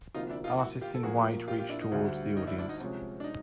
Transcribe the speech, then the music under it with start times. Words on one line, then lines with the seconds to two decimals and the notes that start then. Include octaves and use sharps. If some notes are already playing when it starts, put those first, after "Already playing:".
Artists in white reach towards the audience.
0.14 D2 C3 F3 A#3 D#4 F4
0.30 D4 E4
0.44 D#4 F4
0.59 E4 F#4
0.81 F4 G4
0.94 A4
1.03 A#1 A#2 F3 A#3 F#4 G#4
1.48 F4 G4
1.58 F4 G4
1.69 D4 E4
1.81 D#4
1.92 D2 D3 G3
2.37 D#4
2.47 D4 E4
2.59 D4 E4
2.69 D#4
2.80 C3 F3 G#3 C#4
3.20 D4
3.24 D#4